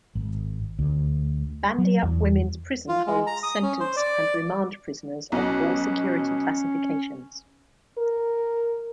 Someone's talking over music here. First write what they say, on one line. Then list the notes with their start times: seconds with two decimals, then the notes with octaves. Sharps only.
Bandyup Women's Prison holds sentenced and remand prisoners of all security classifications.
0.15 G#1
0.79 D2
1.78 F#3
2.03 E2
2.88 F4
3.07 G#3
3.27 A#5
3.43 D#6
3.62 C#4
3.80 C5
3.96 D5
5.32 B1 B2 C#4
7.98 A#4